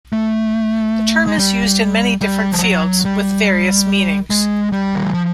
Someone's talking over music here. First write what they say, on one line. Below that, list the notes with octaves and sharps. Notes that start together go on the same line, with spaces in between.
The term is used in many different fields, with various meanings.
A3
G#3
G3
G3
F3
F#3
G3
G#3
G3
D#3
E3
F3